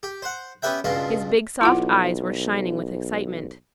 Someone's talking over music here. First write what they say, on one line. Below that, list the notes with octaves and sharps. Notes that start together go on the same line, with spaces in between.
His big soft eyes were shining with excitement.
G4
C5 F#5
B3 C#4 G4 B4 E5 G5
C#2 G2 B2 F4 C6
B1 E4 F4 F#5